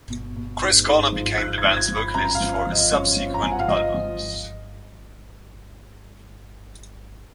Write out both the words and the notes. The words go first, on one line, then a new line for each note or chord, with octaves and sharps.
Chris Corner became the band's vocalist for subsequent albums.
B2
B2
G#2
G#2
F3
G#2 F#6
G#6
F3
G#6
F3
B5
F#2 A#5
F5
F3
F5
F3
D#5
F#2 C#5
F3
A#5
F3 G#5
F#5
F5
F3 D#5
F3